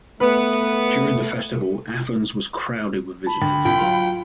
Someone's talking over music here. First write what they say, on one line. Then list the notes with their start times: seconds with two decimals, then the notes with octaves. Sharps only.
During the festival, Athens was crowded with visitors.
0.20 A3 B3 B4
3.27 A5 B5
3.42 D2 G5
3.65 C2 F4 G5
3.78 F#3 F5 C6